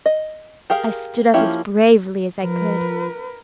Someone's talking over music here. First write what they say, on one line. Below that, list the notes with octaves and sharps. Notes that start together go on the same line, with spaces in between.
I stood up as bravely as I could.
D#5
G4 G#4 A#4 F5
F3 A#3 C#4 E4 G4
F3 A#4 B4